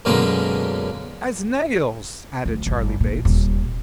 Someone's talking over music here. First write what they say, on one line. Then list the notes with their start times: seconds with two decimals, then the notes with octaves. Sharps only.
'As nails,' added Charley Bates.
0.05 F#2 B2 D3 G#3 A#3
2.46 D2
2.66 G1
3.00 A#2
3.25 D#1